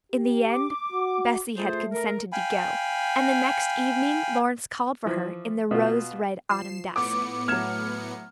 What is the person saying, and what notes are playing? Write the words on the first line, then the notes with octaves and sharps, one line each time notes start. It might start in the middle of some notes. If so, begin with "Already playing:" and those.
In the end Bessy had consented to go, and the next evening Lawrence called for her in the rose-red autumn dusk.
G4
D6
F#4
A3 F4 G#4 C5
A#4
F5 G5 G#5 B5
E3 F3
B2 F4
F3 C7 E7
A2 B3 D6 C#7
F#3 A3 F6 G#6 E7